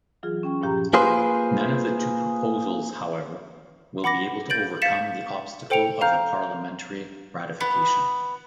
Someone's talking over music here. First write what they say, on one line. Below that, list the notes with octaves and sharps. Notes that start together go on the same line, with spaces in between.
None of the two proposals, however, will be able to overcome the obstacle of the parliamentary ratification.
E3 F#3 F4 G#4
C#4 G5 C#6
G2 A#2 F3 G4 G5 A#5
A#3 F4 G#4 B4 C5
F#5 B5 D6 A#6
G6 A6 D7 F#7
F5 A6 B6 C#7 E7
A4 C5 G5 C#7 D7 F7
F5 A#5 F6 G6
B3